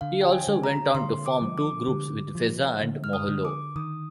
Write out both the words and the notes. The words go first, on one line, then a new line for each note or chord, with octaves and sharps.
He also went on to form two groups with Feza and Moholo.
D3 F5
G5
G#5
D3
A#5
D3 C6
D6
F3
D6
D3
F3
D3
F6
D#6
D3
D6
D#3 D#6